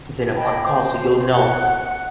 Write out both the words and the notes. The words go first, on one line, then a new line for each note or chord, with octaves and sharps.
It's an important call so you'll know
D#5 G5 A5 B5
C5
F#5
F#5